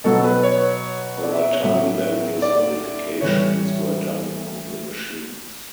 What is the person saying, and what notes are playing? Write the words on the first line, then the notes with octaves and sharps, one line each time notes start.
Over time various modifications were done on the machines.
B2 F#3 B3 A4
B4
C#5
D5
E5
E5
C#5
A2 F#3 C#4 E5
D5
A2 E3 G3 C#5